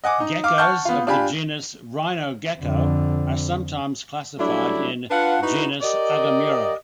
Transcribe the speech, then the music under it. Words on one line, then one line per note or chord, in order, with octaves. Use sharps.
Geckos of the genus "Rhinogecko" are sometimes classified in genus "Agamura".
D#5 F#5 G#5 D6
D#4
F5 D6 F6
F#5 A5 C#6 F6 G6
B3 F4
D4 F4 G4 G#5 B5
F2 D3
F#3 G3 A3 D4 E4
D4 F4 B4 F5 F#5
D#4 E4 F#4 B4
G4 A#4 D5 D#5